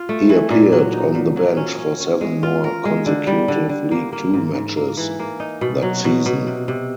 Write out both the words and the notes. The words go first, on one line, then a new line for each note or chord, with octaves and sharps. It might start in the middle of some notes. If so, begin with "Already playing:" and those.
He appeared on the bench for seven more consecutive League Two matches that season.
Already playing: F4
A3
E3
A#2
F#3
D#4
A#2
F#3
C#4
C#4
C#4
G#3
F4
A#4
G#3
D3
G3
D3
D3
A#3
A#3
G#2
G#2
A#3
E3
A#3
D#4
B2
F#3
B2
B2
C3
C3